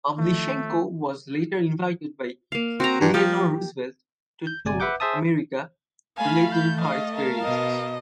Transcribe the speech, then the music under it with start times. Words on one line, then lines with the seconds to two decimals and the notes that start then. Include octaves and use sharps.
Pavlichenko was later invited by Eleanor Roosevelt to tour America relating her experiences.
0.18 D#3 F3 A3
2.52 A#3 F5
2.80 C4 F#4 A#5
3.01 G2
3.14 F3 G4
4.47 G6
4.65 G1 C3 D5 G#5
4.80 B4 E5 F#5 D6 G6
5.00 G#4 C5 E5 A5 D#6
6.17 A3 F5 G#5 B5
6.52 G6
6.81 D#5 F5
7.14 A#4 F5 A5
7.43 B2 D#5